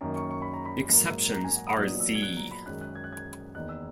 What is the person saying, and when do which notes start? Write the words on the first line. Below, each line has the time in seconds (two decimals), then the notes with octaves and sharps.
Exceptions are z.
0.01 F#2 D#3 A#3 D#4 A#5
0.16 C#6
0.31 C#6
0.42 B5
0.53 A#5
0.65 B5
0.90 G#2 F#3 A#3
1.33 A#5
1.44 G#5
1.56 F#5
1.67 D#6
1.78 A#2 F#3 B3 D#4 D#6
2.00 E6
2.15 G#6
2.22 F#6
2.37 A#5
2.51 B5
2.66 F#2 D#3 G#3 F#6
2.81 F#6
2.95 G#6
3.04 F#6
3.12 G#6
3.55 E2 D#3 A#3 D#4 F#6
3.69 E6